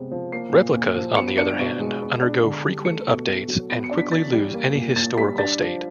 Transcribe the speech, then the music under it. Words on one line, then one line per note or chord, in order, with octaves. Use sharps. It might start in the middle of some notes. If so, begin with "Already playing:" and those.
Replicas, on the other hand, undergo frequent updates and quickly lose any historical state.
Already playing: C3 G#3 B3
F3
A#3 C7
A#2
A#2
F3
B3 C#7
D7
D4 C#7
D7
B2 D7
G#3
B3
D4
D3
G3
A3 C#7
B2
B2
F#3
B3 D7
C#7
D4
B6
E3 A6
G3
A#3
A#2
A#2 A6
G3 B6
D4 A6
F3